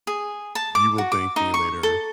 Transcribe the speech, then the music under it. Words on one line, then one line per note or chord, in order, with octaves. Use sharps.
You will thank me later,
G#4
A5
D6
F#4
D6
D#4
C#6
A4